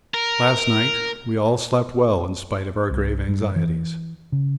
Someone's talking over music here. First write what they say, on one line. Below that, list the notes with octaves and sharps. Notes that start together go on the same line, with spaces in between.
Last night we all slept well in spite of our grave anxieties.
A#4
C2
G2
E3
C#3